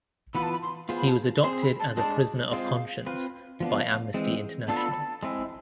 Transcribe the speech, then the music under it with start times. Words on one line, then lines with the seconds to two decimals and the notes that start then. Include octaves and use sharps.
He was adopted as a prisoner of conscience by Amnesty International.
0.35 E3 B3 F4 B4 B5
0.43 A5
0.52 B5
0.62 C6
0.89 B3 F4 G#4 C5
0.97 B5
1.08 A5
1.43 C4 G#4 C5 C6
1.62 B5
1.80 A5
1.97 G#3 D4 G#4 A5
2.51 G#3 C4 F4 G#4 C5 F5
3.06 C4 F4 B4
3.60 F3 B3 D4 F5
4.14 E3 G#3 C4
4.68 B3 D4 F4 A4 A5
4.77 B5
4.86 A5
5.23 G#3 C4 E4 G#4